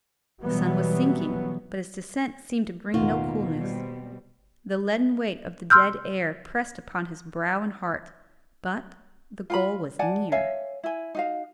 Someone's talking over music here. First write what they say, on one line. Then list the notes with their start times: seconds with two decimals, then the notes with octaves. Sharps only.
The sun was sinking, but its descent seemed to bring no coolness; the leaden weight of the dead air pressed upon his brow and heart, but the goal was near.
0.42 B2 E3 F#3 G3 B3
2.94 A1 E2 B2 D#3 A#3 F4 F#4
3.58 G3 C4
5.70 C6 E6 F6 G6
9.50 F4 G5 B5
9.99 D5 F#5 G#5 A5
10.32 C#5 E5 F5 G#5
10.83 E4 G#5
11.15 D#4 F#4 F5